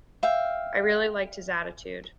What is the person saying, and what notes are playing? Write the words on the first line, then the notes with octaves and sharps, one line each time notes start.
I really liked his attitude.
E5 F5 G5